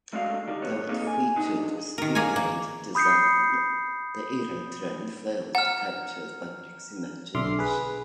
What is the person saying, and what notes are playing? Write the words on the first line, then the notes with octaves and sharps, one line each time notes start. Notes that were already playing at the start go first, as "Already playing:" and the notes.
Though it featured a streamlined design, the "Aerotrain" failed to capture the public's imagination.
C2 G#3 A3 D4 F#4 F5
D#3 G3
F2 B3 C#5
A#3 C4 D4 D#4 G#4 A4
G#5
G#2 D4 D#4
D#3 A#4
A#3 G#4 A#4 C#5 G#5
A#3
B5 D#6 G6 C7 C#7
F#5 A#5 F6
B1 D3 E5 C6 D6 F6
G#4 B4